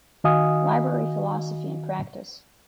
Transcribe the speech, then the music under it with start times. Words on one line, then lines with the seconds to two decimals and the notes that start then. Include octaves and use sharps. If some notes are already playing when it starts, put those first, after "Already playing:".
Library Philosophy and Practice.
0.24 D#3 F#4 D#5 F5 G#5 D#6